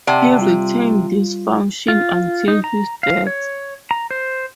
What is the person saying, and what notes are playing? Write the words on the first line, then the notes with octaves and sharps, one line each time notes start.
He retained this function until his death.
C3 D5 F#5 A5
G3 F4
F4
D#4
A#5
F5
C#5
A#5
C5